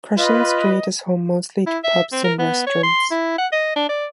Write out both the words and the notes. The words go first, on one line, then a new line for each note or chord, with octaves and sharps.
Crescent Street is home mostly to pubs and restaurants.
F4 B4 D#5
E4
E5
C4
A#4
B3
C#5
C6
E4
F#5
D#5
D4
D5